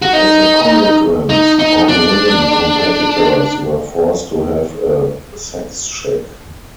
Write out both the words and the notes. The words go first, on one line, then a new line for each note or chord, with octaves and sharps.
As a consequence, all women competitors were forced to have a sex check.
F#4
D#4
D#4
D#4
D4